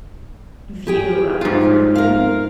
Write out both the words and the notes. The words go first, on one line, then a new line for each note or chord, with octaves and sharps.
view of everything,
G4 G#4 G5
G#2 F4
A#4 F5